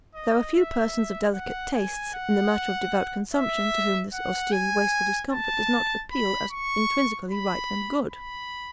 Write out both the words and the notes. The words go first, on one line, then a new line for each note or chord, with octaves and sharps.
There are few persons of delicate tastes, in the matter of devout consumption to whom this austerely wasteful discomfort does not appeal as intrinsically right and good.
D#5
E5
F#5
G#5
F#5
E5
F#5
G#5
A5
B5
C#6
B5
B5